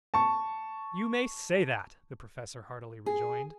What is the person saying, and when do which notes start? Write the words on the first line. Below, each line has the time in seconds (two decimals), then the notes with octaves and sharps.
"You may say that!" the Professor heartily rejoined.
0.14 A5 C#6
3.06 G#4